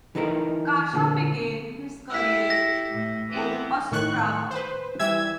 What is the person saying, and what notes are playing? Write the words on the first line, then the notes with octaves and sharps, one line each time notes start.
Kasha began his career in Ostrava.
E3 D#4 A4 A#4
A#2 D3
E4 G4 A4 E6 B6
A#6
A2
E3 B3 C4
A2 D#3 C#6 F#6
B4 C5
E3 G3 E5 E6 G#6